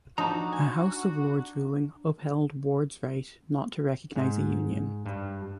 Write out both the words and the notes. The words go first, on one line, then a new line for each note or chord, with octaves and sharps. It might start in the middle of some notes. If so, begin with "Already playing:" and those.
A House of Lords ruling upheld Ward's right not to recognise a union.
F3 D4 D#4 F#4 A5 A#5
G#5
G#2
G2